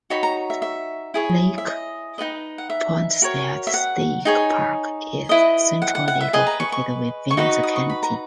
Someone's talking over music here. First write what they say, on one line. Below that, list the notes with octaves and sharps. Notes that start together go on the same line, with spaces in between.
Lake Poinsett State Park is centrally located within the county.
D#4 F#4 C#5 B5
A#5
E5
E5
E4 G#4 C#5
E5
D#5
D#4 F#4 B4 D#5
F#5
E5
F#4 A#4 C#5
E5
F#5
D#4 G#4 C#5
E4 B4 D#5
F#5
F#5
F#5
E5
G#4 B4 D#5 G#5
A#5
C#6
C#6
C#6
D#4 F#4 B4 D#5 B5
C#6
D#6
C#6
B5
A#5